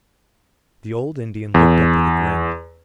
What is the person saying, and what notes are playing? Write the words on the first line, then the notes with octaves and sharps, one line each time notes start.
The old Indian looked up with a grin.
E2